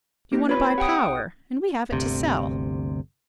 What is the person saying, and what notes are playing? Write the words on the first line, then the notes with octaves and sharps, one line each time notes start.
You want to buy power, and we have it to sell.
A#3 D#4 G4
C4 F4 B4 C#5 B5
G4 F#5 G5 D#6
B1
G1 D2 C3